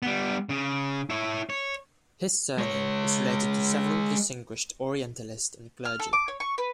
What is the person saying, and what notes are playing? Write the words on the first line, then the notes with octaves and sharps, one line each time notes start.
His surname is related to several distinguished Orientalists and clergy.
G3 B3
C#3
E4 C#5
C#5
G#3 C#5
F6
A4
D6
C#5
C#6
B4